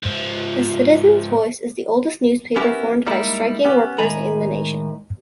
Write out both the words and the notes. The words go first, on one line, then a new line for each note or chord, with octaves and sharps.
The "Citizens' Voice" is the oldest newspaper formed by striking workers in the nation.
G#2 F3
B3 C#4 E4 G4 A#4
G3 G#3 A#3 D#4 E4
B3 C#4 G4
A2 D#3 G#3 G#5 A#5 B5